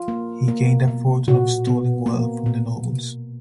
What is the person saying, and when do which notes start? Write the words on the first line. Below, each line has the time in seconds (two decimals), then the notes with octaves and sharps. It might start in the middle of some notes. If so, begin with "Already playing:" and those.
He gained a fortune of stolen wealth from the nobles.
Already playing: F4
0.08 A#3
0.48 A#3
0.88 B2
1.28 A#2 F#4
1.67 B3
2.06 A#3
2.46 B2